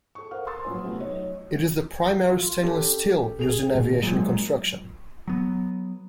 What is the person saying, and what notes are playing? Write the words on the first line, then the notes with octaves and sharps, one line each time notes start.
It is the primary stainless steel used in aviation construction.
A4 C#6
A#4 C5 F5 F#5 F6
A#5 C6 C#6 D#6 E6 A6
A#1 F#3 C#4 B4 G#5
C3 A3 B3 F4 F#4
F#3 D#4 C#5 D#5
F4
C#4 G4 A4
G#4 F7
A#2 D#3
A#1 F#2 A#2 G#3
F#3 B3